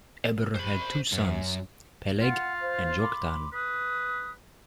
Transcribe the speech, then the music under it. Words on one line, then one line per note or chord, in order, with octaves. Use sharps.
Eber had two sons: Peleg and Joktan.
C5 B5
F#2
F4 F#5
C5 F5
B5 C6 D6
B4 D#6